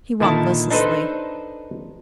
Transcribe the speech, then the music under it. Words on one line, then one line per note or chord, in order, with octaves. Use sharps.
He walked listlessly.
A#2 D3 D#3 E4 A5
D4 D#4 A4 B4 C5